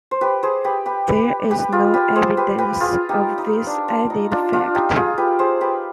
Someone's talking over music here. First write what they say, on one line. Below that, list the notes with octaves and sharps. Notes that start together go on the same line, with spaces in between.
There is no evidence of this added fact.
C5
G4 B4
G#4 C5
G4 B4
G4 B4
G4 B4
G4 B4
F4 G#4
G4 B4
G#4 C5
G4 B4
G4 B4
F4 G#4
D#4 G4
D#4
D4
D4
D#4
D4 F4
D4 F4
D#4 G4
F4 G#4
G4 B4
G#4 C5
G4 B4